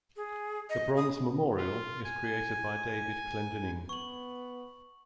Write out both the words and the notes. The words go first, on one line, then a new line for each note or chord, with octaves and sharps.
The bronze memorial is created by David Clendining.
G#4
D#5
D#6
F4
G#5
B3 C#6 F#7